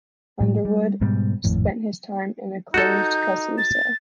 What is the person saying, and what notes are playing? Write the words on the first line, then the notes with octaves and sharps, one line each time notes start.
Underwood spent his time in a closed custody cell.
A2 F#3
G3
G#2 B2 G3
G#1 F2 A2
D#4 F#4 A4 G6
A6